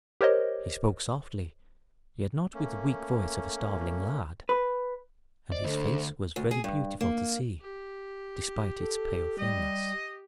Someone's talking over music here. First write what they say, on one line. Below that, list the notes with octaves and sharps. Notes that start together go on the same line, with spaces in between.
He spoke softly, yet not with the weak voice of a starving lad; and his face was very beautiful to see, despite its pale thinness.
G4 A#4 C5 C#5 D#5
A3 A#3 C#4
B4
C5 D5 D#5
D2 D4 A4 C5
D2
G#4
G2
A#3
G4
A4
G3 D#5